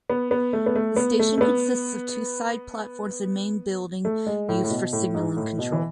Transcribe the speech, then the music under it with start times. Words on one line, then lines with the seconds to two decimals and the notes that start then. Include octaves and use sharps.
The station consists of two side platforms and main building used for signalling control.
0.10 B3
0.31 B3
0.53 A3
0.66 B3
0.75 A3
0.96 B3
1.19 A3
1.37 A3
1.41 B3
4.05 A3
4.27 G#3
4.49 A2
4.64 A2
4.70 B2
4.93 A2
5.15 G#2
5.37 A2
5.59 B2
5.72 E3